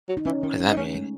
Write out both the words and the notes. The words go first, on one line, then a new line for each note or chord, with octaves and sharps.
What does that mean?
F#3
D#4
E3 C#4
D#3 C#4
C#4
D#4
A3 C#4
G#3